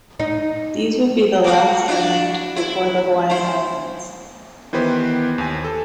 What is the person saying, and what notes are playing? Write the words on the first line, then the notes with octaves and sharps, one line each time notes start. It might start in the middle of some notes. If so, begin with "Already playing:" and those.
These would be the last land before the Hawaiian Islands.
D#4
F#3 F#4
D4 E4 F#4
E4
E4 C5
D#3 E3 B3 G4 B4 C5
D#2 G#5
A4